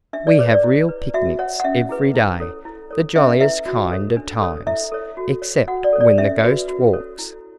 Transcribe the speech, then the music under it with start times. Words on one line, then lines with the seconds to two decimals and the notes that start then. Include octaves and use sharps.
We have real picnics every day, the jolliest kind of times--except when the ghost walks.
0.13 D4 E5
0.27 D5
0.39 G#4 B4 C#5
0.54 D5
0.63 E4
0.89 B4
1.14 F#4 E5
1.39 C#5 F#5
1.60 F#5
1.64 C#4 E5
1.89 E4 G#4 B4
2.15 E4
2.40 A4 C#5
2.65 E4
2.91 A4 C#5
3.15 C#4 E5
3.41 E4 B4 E5
3.66 F#4
3.91 A4 C#5
4.17 D4
4.41 A4 C#5
4.67 E4 E5
4.92 A4 C#5
5.17 F#4
5.42 C#5
5.67 F#4 F#5
5.84 D5
5.93 A4 C#5
6.01 D5
6.18 C#4 E5
6.43 F#4 B4
6.68 F#4
6.93 A4 C#5
7.18 E4